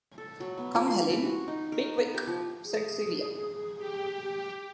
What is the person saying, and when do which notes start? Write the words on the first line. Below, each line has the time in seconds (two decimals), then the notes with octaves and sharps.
"Come, Helene, be quick," said Celia.
0.18 A4
0.40 F#3
0.58 B3
0.74 F3
0.88 C6
1.10 E3
1.25 F#4
1.48 D#4
1.72 A#4
1.98 B3
2.14 G4
2.27 F3
2.65 G#4
3.78 G4